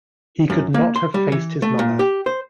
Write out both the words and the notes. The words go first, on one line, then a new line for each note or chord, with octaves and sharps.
He could not have faced his mother.
F#2
A#3
C6
G3
E3
A3
A#2
G4
C5